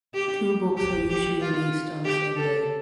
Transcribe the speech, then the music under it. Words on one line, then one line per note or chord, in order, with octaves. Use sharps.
Two books are usually released on the same day.
G4
G4
G4
F4
G4
A4